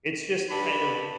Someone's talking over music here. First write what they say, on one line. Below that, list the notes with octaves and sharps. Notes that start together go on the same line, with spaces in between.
it's just kind of
G2 B5